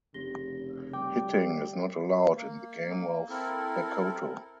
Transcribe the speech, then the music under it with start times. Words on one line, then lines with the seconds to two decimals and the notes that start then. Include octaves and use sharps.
Hitting is not allowed in the game of Plakoto.
0.14 F1 C#3 G4 A#6 G7
0.93 G3 G5 D6
2.35 A#3
3.29 C4 E4 A4 A#4